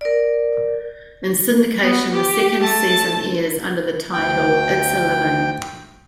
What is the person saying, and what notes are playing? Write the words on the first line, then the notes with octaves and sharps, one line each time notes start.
In syndication, the second season airs under the title "It's a Living".
A#4 D5
B3
G4
A3 A5
D2 G5